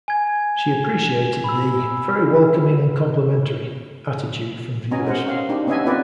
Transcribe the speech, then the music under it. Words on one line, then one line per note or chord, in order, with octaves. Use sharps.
She appreciated the "very welcoming and complimentary" attitude from viewers.
G#5 G#6
B5 E6
B3 C#4 D#5 G#5 A#5
A#4 C5 F#5
C#4 G4 F5
D4 D#4 G4
B3 C#4 D4 D#5 E5 G#5
B3 C4 F4 G4 B4 D5